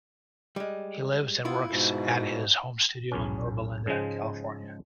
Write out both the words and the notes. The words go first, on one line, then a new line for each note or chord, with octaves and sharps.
He lives and works at his home studio in Yorba Linda, California.
G3 G#3
B3 E4 F4
G#2 B2
B1 E2 C#4
G#2 C#3 F3 G#3